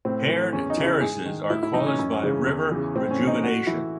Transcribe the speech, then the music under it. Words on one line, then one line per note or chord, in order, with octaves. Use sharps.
Paired terraces are caused by river rejuvenation.
A2 C4
E3
E2 C#4
D#4
C#3 E3
E4
G#2 G#4
D#3
A2 E4
E4
E3 D#4
C#4
F#2
C#3 E3
E2
C#3 E3
A2 C4
C#4
E3
D#4
A2 F#4
E3 E4